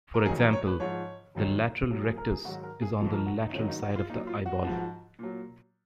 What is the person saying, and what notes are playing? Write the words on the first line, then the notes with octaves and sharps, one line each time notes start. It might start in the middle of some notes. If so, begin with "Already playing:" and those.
For example, the lateral rectus is on the lateral side of the eyeball.
A#4
F2 D#3 F#3 G#4
A#4
C#5
B4
G#2 F3 C#5
F#2 D#3 F#3
A#2 F#3
G#4
A#4
G#4
G#2 D#3 F#3 F#4
A#4
G#4
F2 F3
A#4
F#4
D#4
G#2 D#3 F#3 C#4
D#4
F#4
F4
A#2 F#3 D#4
F4
F#4
G#2 F3
A#2 F#3